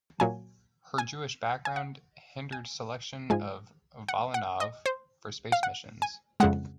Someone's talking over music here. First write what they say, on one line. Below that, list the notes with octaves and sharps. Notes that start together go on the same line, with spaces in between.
Her Jewish background hindered selection of Volynov for space missions.
A#2 F#3 A#3 G#5
G#5
G#5
F#5
G#5
G#2 F3 G#3 G#5
F#5
F#5
D#5
C5
F5
F#5
G#5
F2 C#3 G#3 F#5